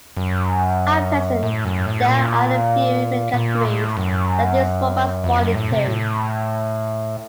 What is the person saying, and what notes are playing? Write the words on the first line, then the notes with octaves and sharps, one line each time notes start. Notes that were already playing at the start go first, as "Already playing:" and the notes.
At present there are a few main categories that these robots fall into.
F#2
A2
F#2
A2
A#2
A#2
A2
F#2
F2
F#2
A2
C3
A2